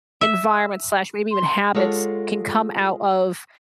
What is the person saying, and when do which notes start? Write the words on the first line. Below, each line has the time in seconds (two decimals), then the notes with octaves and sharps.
environment slash maybe even habits can come out of
0.21 E5
1.31 C6
1.74 G#3 F4 A4 C#5 F#5